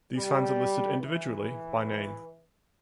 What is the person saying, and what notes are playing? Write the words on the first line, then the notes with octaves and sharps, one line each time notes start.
These fans are listed individually, by name.
G3
E3